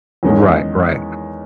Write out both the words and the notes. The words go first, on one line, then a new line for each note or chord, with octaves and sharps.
Right, right.
E2 D#3 G#3 C#4